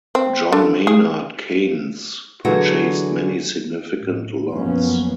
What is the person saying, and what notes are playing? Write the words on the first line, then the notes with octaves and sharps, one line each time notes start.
John Maynard Keynes purchased many significant lots.
C4
D3
G#4
D3 E3 F#3 F#4 G#4
A2
F#2 F3 A#3 B3 C#4